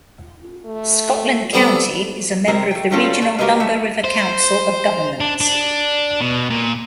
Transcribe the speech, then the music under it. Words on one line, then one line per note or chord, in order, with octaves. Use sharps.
Scotland County is a member of the regional Lumber River Council of Governments.
A3
G3 B3 C4 A4
C3 G3 C4 A#4
A3 G5
F#3 G3 C4 C#4 F4 A4
A3
F#4 G4 A#4 B4 D#5 F5
A3 E5
C5
D4
D4
B2
A#2